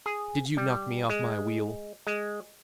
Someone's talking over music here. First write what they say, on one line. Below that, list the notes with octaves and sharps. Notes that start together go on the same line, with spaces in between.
"Did you knock me off my wheel?"
G#4
G3
G#3
G#3